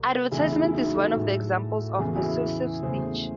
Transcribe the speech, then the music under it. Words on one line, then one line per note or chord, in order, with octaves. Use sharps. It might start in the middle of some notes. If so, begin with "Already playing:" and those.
Advertisement is one of the examples of persuasive speech.
Already playing: C2 C3 F#3
E2 C#3 E3 A3 E4 G#4
E4 G#4
E4
D#4 F#4
F#4 A4
A2 G#3
E2 C#3 E3 G#3 G#4
F#4
E4 G#4
E2 C#3 F#3 A3 G#4 C5